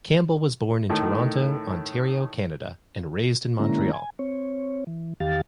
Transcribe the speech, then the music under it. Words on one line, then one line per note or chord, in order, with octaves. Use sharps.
Campbell was born in Toronto, Ontario, Canada and raised in Montreal.
A2 D#3 A3
D3 G#3 A#3 C#4 E4 A#5
G#5
C4 C#5
E3
E2 D#3 G4 F5 A6